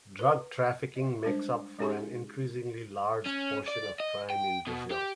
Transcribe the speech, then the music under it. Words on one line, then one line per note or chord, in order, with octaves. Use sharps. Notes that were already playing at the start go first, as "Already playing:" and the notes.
Drug trafficking makes up for an increasingly large portion of crime in Brazil.
B4
D#5
G3 G#3 D4 C5
G#3 C#4 D#4 G4 G#4 G#5
C#4
D5
D#5
G5
B2
G4